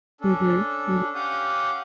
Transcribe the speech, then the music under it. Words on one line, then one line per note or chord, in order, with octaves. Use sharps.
Mhm, mhm.
C#4 D4 A4
C#4 G4 F5 F#5 D#6 G6